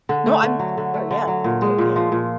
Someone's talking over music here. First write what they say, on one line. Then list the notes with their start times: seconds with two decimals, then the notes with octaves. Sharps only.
No. I'm with you there, yeah. That's a good idea.
0.09 D3
0.26 A3
0.43 D3
0.59 F#3
0.78 D3
0.94 A3
1.11 D3
1.27 F#3
1.44 A#2
1.62 G#3
1.78 A#2
1.96 F3
2.12 A#2